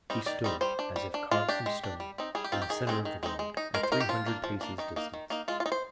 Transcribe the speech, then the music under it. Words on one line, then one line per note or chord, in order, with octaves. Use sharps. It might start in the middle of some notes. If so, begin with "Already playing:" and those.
He stood, as if carved from stone, in the center of the road, at three hundred paces' distance.
G3 C4 D#4
D#3 D5
G3 C4 D#4
G3 C5
D4
G3
D4
G#3 F4
D4 G4
G#3
D4
G3
C4 D#4
G3 G#4
G4
C4 D#4 F4
G4
D#3 G#4
G#3 C4 D#4
D#3
G#3 C4 D#4
G#3
D#4
G#3 A#4
C5
D#4 A#4
G4
F3 F4
A#3 D4
F3
A#3 D4
D#3 D#4
A#3 D#4
D#3
A#3 D#4
G#3 F4
F4
D#4
C5